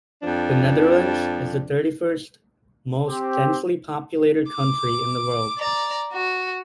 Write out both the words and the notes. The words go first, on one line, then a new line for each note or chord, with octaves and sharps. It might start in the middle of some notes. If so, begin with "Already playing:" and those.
The Netherlands is the thirty-first most densely populated country in the world.
F2 F3 D4
C4 G4
D6
D5 A#5
F#4